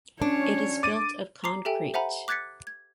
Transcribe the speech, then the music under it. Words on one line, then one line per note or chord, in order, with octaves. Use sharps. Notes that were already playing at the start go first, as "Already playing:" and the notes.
It is built of concrete.
C#4 D4 C#5
D6 A6 D#7
A#5 D6 C7
G4 A4 E5 G5 G#5
C5 E5 F#5 G#5 A#5 B5
D6 F#6 G#6 A6 B6 C#7
G#6